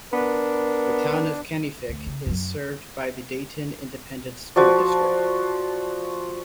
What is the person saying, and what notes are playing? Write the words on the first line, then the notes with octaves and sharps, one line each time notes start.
The Town of Kenefick is served by the Dayton Independent School District.
B3 D4 A#4
D2
C#3
F#2 F#3
F3 F#4 D5